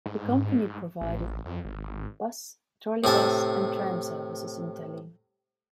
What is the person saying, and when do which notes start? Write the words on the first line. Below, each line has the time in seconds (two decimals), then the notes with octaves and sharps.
The company provides bus, trolleybus, and tram services in Tallinn.
0.06 G#2
1.01 A1
1.46 F2
1.65 G#1
3.04 A2 C3 G#5 A5